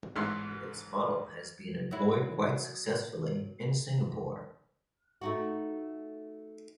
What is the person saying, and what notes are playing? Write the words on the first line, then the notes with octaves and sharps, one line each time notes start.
This model has been employed quite successfully in Singapore.
A1 G#2 E3 B3 C6 E6
F#3 E4
A3 D#4 F#4